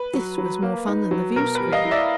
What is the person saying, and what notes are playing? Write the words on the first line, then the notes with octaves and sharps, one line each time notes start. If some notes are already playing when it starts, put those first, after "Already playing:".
This was more fun than the viewscreen.
Already playing: B4
F#3
F#3
A#3
D#4
F#3
B2 A#4
B4
G3
D#5 F5
E4
D5 E5